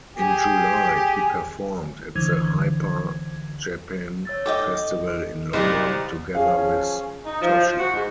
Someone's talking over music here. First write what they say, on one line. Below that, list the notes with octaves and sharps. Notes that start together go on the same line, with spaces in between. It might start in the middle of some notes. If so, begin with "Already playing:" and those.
In July, he performed at the Hyper Japan Festival in London, together with Toshi.
G4 G#4
C2 D3 E3 G#6
C#5 E6 A6
D#4 A4 D#5 G5 D6
C2 C5 D5 D#5
F3 C#4 G#4 F5
D#4
F3
F3
F#4
G#2